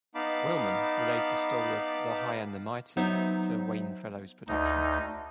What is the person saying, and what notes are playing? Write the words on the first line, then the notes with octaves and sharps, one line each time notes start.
Wellman relayed the story of "The High and the Mighty" to Wayne-Fellows Productions.
B3 D#4 F5 A5 B5 D6
F#3 B3 D#4 C5 E5
D2 D#4